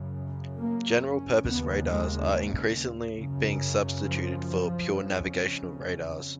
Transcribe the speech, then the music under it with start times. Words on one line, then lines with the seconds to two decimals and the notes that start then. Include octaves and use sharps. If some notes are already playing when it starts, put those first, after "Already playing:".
General purpose radars are increasingly being substituted for pure navigational radars.
Already playing: F#2 C#3
0.57 A#3
1.01 C#4
1.43 D#2 C#3 B3
1.86 G#3
3.15 F#2 C#3
4.00 F3
4.85 F2 C#3